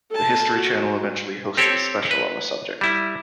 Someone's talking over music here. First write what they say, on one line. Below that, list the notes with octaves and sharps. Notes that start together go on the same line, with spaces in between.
The History Channel eventually hosted a special on the subject.
A4 A5
F#4
C4 G4 A4 C#5
B4
G3 E4